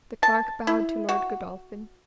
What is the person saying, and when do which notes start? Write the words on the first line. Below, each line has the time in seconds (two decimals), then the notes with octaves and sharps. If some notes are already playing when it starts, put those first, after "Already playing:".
The Clerk bowed to Lord Godolphin.
0.23 A5
0.67 E4
1.09 F#4